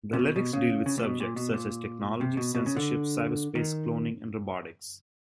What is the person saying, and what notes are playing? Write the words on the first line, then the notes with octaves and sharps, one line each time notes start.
The lyrics deal with subjects such as technology, censorship, cyberspace, cloning and robotics.
C3
B2
B2
C#3
C#3
A#2
B2
A#2
B2
A#2
C3
B2
B2
C#3
D3
D#3